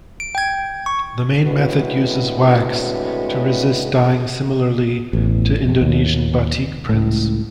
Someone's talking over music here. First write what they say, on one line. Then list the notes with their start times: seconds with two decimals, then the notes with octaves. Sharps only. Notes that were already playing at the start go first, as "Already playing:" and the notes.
The main method uses wax to resist dyeing similarly to Indonesian batik prints.
0.20 D7
0.35 G5 G#6
0.86 C#6
1.45 A2 D3 G#3 B3 C4 F#4
5.13 A1 E2
5.65 F2 C3
5.81 D#2
6.89 C#2 A2